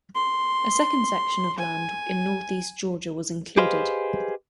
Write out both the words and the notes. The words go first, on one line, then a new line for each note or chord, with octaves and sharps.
A second section of land in northeast Georgia was included.
C6
G#5
G4 G#4 B4 C5 D#5 F5